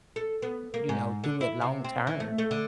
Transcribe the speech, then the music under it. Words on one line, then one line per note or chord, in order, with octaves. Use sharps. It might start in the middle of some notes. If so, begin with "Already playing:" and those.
you know, do it long term.
A4
B3
A#3
G#2
D3
E4
C3
C4
E3
A3
A3
D3